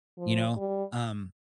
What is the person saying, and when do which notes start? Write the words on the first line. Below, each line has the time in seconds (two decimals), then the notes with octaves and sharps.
you know, um,
0.18 F3
0.57 G3